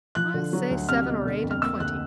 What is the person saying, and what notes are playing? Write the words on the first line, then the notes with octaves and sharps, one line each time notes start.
I say, seven or eight and twenty.
F3 F#6
D3
F#3
D2
C2 F6
B2
D3
F2
F6
A#3 E6
D2 F#6